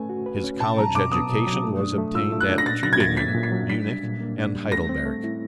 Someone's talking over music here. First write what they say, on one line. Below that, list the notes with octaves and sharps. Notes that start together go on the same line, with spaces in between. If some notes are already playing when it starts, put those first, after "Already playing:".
His college education was obtained at Tuebingen, Munich, and Heidelberg.
Already playing: A3 C#4 B4 G#5
F#4
B4
C#4
B2 A5
F#3 A#5
B2 D6
B3 D#6
B2
F#3
A3
D4
A3
F4 E6
A3
F#6
D4
A#6
A#2 A6
F#3 A#6
G#6
A#2 A6
A#3 B6
A#2
B6
F#3
D4 B6
G3
A#2
A#3
D4
G3
A3 A#6
C4
A3
E4